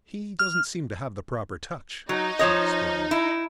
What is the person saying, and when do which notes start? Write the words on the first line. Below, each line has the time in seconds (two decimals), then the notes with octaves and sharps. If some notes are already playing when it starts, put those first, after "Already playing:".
"He doesn't seem to have the proper touch," she explained.
0.39 F6
2.09 F#3 D#4
2.39 F3 C#5 D#5
3.11 E4